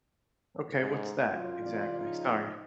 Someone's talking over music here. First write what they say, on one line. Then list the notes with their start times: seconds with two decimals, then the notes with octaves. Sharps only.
Okay, what's that exactly? Sorry.
0.80 G#2
1.26 F#2 F4
1.60 C3 E3 D5
2.00 C#3 F3 D#4